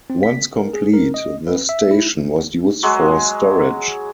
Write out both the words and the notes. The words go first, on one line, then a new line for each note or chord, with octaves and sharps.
Once complete, the station was used for storage.
C4
B6
A#4
G#4
A#4
D#5
B4
E5
E4
F#3 G#3